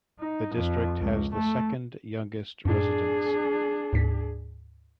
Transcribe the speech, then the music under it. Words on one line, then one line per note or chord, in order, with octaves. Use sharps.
The district has the second youngest residents.
D#4
F2
C#2
A3
F#2 A2 D4 G#4
D2 G#2 B6